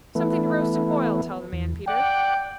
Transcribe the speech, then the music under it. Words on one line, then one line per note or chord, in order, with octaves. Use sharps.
"Something to roast and boil, tell the man, Peter."
E3 A3 B3
E2
D5 F#5 G5